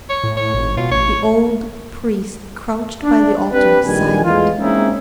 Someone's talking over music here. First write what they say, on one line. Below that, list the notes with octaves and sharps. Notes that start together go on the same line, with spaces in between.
The old priest crouched by the altar, silent.
C#5
A2
C#5
G#1
B2 F4
A1 C#5
D4
C4 D4 G4 B4
A#1 F2 D#3 G3 G#5
E2 A2 G#3 B3 F4
G#3 A#3 C4 C#4 D#4 E4